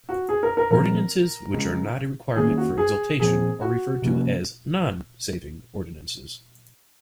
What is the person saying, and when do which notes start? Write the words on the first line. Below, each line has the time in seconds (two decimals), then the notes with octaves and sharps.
Ordinances which are not a requirement for exaltation are referred to as non-saving ordinances.
0.09 F#4
0.29 G#4
0.43 A#4
0.57 A#4
0.70 A#2 F3 G#3 C4 A#4
1.54 C#3 G#3 C#4
2.36 D#3 A#3 C#4 G#4
2.58 F#4
2.78 G#4
3.20 A#2 F3 C4 G#4
3.61 F#4
4.02 C3 F3 A#3 C#4